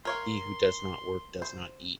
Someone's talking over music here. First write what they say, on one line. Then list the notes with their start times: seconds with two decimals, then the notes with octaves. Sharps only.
He who does not work, does not eat.
0.05 A#4 C#5 F5 C6
1.42 C5